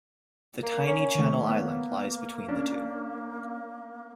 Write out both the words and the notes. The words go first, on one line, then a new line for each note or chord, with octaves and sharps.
The tiny Channel Island lies between the two.
A#3
C#4
D#3 A3
A#3 B3
C#4 D4